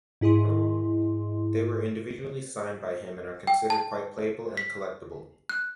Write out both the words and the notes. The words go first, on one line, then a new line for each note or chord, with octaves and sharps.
They were individually signed by him and are considered quite playable and collectable.
G#2 E4 G#4 D#5 C6
G5
A5
B6
F#6